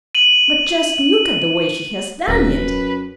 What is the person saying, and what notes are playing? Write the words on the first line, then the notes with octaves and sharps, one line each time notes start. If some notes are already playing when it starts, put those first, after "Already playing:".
But just look at the way she has done it!
D#7 F#7
D#1 F#2 B4